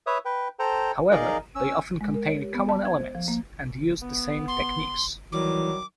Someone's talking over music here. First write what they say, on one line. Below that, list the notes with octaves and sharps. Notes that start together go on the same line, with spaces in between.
However, they often contain common elements and used the same techniques.
B4 C#5 E5 D#6
B4 G5
A4 C5 G5 A#5
D#4 G#4 A#4 D5 D#5 F5
C#4 E6
G#3
A#4
C#5
G4
B3
A5
G#6
C5
F3
A#3
B3
C6
D#3 E3 F#3 G3 D6